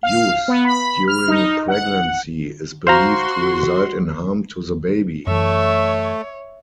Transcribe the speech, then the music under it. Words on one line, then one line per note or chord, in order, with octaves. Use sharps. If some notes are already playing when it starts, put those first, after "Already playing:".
Use during pregnancy is believed to result in harm to the baby.
F5
B3
B5
F6
D#4
F#5
F#4 C5 F5 A#5 C6
F#2 E3 A3 C#5 E5